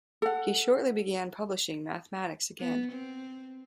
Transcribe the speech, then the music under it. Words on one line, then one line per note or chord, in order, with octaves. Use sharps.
He shortly began publishing mathematics again.
A4 F#5
B3
C4